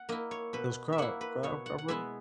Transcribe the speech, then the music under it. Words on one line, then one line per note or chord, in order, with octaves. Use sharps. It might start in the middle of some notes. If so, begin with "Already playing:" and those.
It was Craw Craw Crawford?
Already playing: F#5
A#3 E4 D#5
C#5
B2 B4
E5
A#3 E4 F#5
B4
B2 C#5
F#5
F#5
G#3 B3 E4 E5